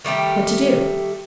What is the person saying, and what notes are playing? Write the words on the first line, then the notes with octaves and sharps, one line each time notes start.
"What to do?"
D#3 G3 A3 G4